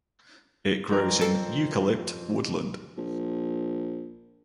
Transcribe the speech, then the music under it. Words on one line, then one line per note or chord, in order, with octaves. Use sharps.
It grows in eucalypt woodland.
F2 A#4
A4 C7 D7
A#1